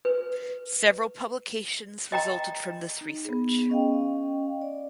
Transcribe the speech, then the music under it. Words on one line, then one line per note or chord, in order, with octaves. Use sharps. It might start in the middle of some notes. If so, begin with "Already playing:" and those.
Several publications resulted from this research.
B4
D#5 G5 A#5
D#4
B3 G#4
C#4 D#5 F5 G5
D5